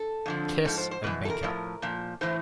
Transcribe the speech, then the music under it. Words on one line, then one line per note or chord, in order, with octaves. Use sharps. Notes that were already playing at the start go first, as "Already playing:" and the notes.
Kiss and make up.
Already playing: A4
F2 D3 F3
G#2 F3 A4
C5
C5
E2 B2 B4
A4
A#4
A2 F3
A#2 F3
A2 E3 C5